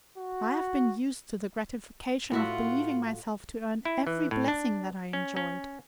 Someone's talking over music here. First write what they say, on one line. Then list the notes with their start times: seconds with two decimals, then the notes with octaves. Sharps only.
I have been used to the gratification of believing myself to earn every blessing that I enjoyed.
0.18 F#4
2.32 A2 F4 F#4 E5 F#5
3.85 E4
4.07 E3
4.31 A2
4.48 D4
5.13 C#4
5.37 C#4